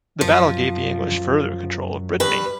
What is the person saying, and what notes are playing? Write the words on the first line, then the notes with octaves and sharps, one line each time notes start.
The battle gave the English further control of Brittany.
F#2 F3
G2 B4